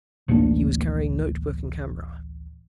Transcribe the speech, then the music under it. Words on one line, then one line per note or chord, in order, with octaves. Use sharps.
He was carrying note-book and camera.
D1 A1 A#3 D4